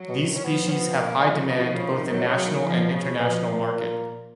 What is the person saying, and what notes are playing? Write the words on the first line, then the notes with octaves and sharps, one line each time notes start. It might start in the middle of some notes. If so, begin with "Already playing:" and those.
These species have high demand both in National and International market.
Already playing: F#3
B2
D#3
C#4
F3 B3
C#4
B3
A#3
G#3
C#3
C#3
B2 F3
D#3
C#3
D#3
D#3 F#3
B2
C#3
D#3
F3
A#2
B2
C#3
B2 F3
A#2